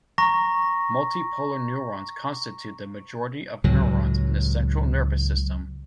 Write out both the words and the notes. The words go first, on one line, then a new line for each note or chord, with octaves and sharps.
Multipolar neurons constitute the majority of neurons in the central nervous system.
A#5 C#6 A#6
C#2 A2 F#3